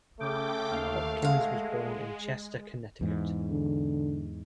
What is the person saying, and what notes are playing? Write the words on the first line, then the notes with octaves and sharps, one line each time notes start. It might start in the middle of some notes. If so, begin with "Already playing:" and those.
Hopkins was born in Chester, Connecticut.
C#3 A3 G5 D6
D#2 F5
G#3 F5 F#5
E2 G#2 E3
D3